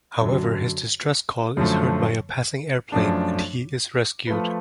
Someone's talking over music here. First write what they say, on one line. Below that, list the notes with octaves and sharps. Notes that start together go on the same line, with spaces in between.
However, his distress call is heard by a passing airplane, and he is rescued.
F#2 D3 F#3
F#2 D3 F3 A3
F#2 F3 A3 D4
F3 A3 F4 B4